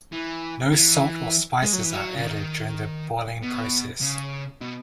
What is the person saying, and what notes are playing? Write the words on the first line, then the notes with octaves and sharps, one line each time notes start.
No salt or spices are added during the boiling process.
E3
E3
G#3
F#3
E3
F#3
C#3
D#3
B2
C#3
B2